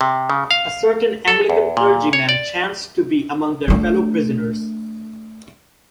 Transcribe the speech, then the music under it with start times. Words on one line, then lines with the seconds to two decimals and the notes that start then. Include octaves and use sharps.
A certain Anglican clergyman chanced to be among their fellow prisoners.
0.01 C3
0.30 C#3
0.51 F5
1.28 A4
1.50 E2
1.77 A#2
2.13 C#5
2.29 D5
3.68 A3 D4